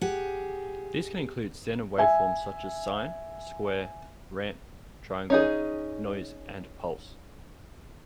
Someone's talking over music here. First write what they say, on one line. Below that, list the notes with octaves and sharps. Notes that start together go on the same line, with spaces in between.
These can include standard waveforms such as sine, square, ramp, triangle, noise and pulse.
G4 G#4 F#5
E5 G#5
C#4 D#4 G#4